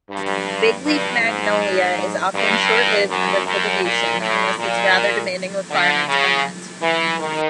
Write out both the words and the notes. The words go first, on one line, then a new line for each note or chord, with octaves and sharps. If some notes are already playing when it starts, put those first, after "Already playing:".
Bigleaf magnolia is often short-lived under cultivation unless its rather demanding requirements are met.
G2
G2
G#2
G2
F#2
F#2
A#2
A2
A#2
D3
C#3
E3
D#3